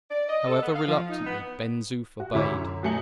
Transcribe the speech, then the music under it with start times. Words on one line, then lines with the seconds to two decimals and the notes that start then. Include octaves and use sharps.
However reluctantly, Ben Zoof obeyed.
0.11 D5
0.29 D#5
0.47 A4
0.63 B3
0.74 F5
0.87 F3
1.09 D#4
1.25 B3
2.20 F#4
2.34 D2 E4 C#5 D6
2.50 F#2
2.83 B2 F#3 A3 G#5 C#7 F#7